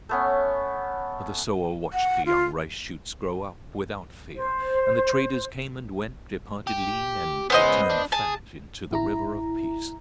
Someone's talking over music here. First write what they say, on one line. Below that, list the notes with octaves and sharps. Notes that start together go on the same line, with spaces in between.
But the sower watched the young rice-shoots grow up without fear, and the traders came and went, departed lean and returned fat into the river of peace.
A3 B3 C#4
F#5
F4
C5
G4
G#3 B3 C#4 C5 D#5
D4
G#4 A5
A1 E4 A#5